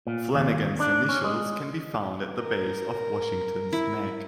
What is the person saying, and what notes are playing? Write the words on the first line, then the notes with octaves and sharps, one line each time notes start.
Flanagan's initials can be found at the base of Washington's neck.
A#2
D#2
D4
C#4
G#3
A#4
E4